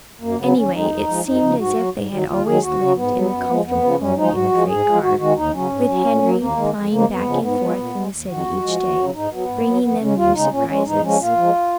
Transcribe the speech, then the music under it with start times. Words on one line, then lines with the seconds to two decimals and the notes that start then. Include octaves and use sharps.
Anyway it seemed as if they had always lived in the comfortable home in the freight car, with Henry plying back and forth from the city each day, bringing them new surprises.
0.21 F#2 A#3
0.38 C#3 F#3 B3
0.56 D#2 C#4
0.73 D#3 G#3 D#4
0.90 F2
1.07 F3 G#3
1.24 F#2 D#4
1.41 C#3 F3
1.58 G#2 F#4
1.75 F#3
1.93 G#2
2.10 D#3 F#3
2.27 D#2 F4
2.44 D#3 F#3 G#4
2.61 D#2 F#4
2.79 C#3 F#3
2.96 G#2 B3
3.13 F#3
3.31 F#2
3.47 F3 G#3
3.65 F2 B3
3.82 C#3 F3
3.98 F#2 C#4
4.16 F3 G#3 D#4
4.33 G#2 F#4
4.51 F3 G#3
4.67 G#2 G#4
4.85 F3 G#3
5.01 G#2 F#4
5.19 D#3 G#3 F#4
5.36 D#2 D#4
5.53 C#3 F#3 C#4
5.70 G#2
5.88 F#3
6.06 A#2
6.22 F#3
6.39 D#2 A#3
6.56 D#3 G#3
6.74 F2
6.90 C#3 F3 G#3 A#3
7.08 F2 B3
7.26 C#3 F3 G#3
7.42 G#2 B3
7.59 F3 G#3
7.77 A#2
7.94 G#3
8.11 D#2
8.28 D#3 F#3 F#4
8.45 F2
8.63 F3 G#3
8.80 D#2
8.97 C#3 F#3
9.13 G#2 D#4
9.31 F#3 B3
9.48 G#2
9.65 F#3
9.82 F2 B3
9.99 C#3 G#3 C#4
10.17 D#2 F4
10.34 C#3 G#3 D#4
10.51 A#2 C#4
10.68 G#3 C#4
10.85 G#2 D#4
11.03 F3 G#3 C#4
11.20 A#2 F4
11.36 F3 G#3